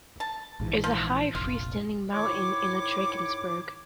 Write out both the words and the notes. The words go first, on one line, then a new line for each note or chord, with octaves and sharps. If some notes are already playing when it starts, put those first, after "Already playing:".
It is a high free standing mountain in the Drakensberg.
A5
A#1 G#2 E3
F3
F1 A#1 F4
G#2 D#3 E4 C#5 D6